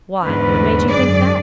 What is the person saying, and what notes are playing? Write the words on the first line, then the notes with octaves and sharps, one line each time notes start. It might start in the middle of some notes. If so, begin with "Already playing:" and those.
Why, what made you think that.
E2 G#2 D3 B4
F#2 G#4 D5